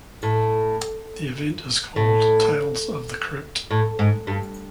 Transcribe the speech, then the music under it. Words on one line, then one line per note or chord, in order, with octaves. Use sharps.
The event is called "Tales of the Crypt".
A2
A2
A2
G#2
G2